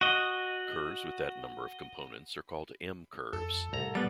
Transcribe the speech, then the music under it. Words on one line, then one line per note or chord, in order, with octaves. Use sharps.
Curves with that number of components are called M-curves.
F#4 D#5
F2 A4
C2 A2 A#5
G3 B3 A6